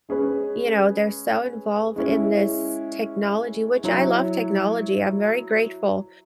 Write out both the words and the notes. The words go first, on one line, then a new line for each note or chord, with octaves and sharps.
you know, they're so, involved in this technology which I love technology, I'm very grateful
G#3 C#4 G#4 B4
G#3 C#4 E4
F#3 E4 C#5